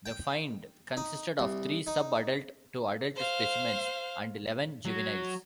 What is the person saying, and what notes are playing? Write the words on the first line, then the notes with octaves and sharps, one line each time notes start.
The find consisted of three sub-adult to adult specimens and eleven juveniles.
G5
D#4
C2
D#4
C5 F5
F#3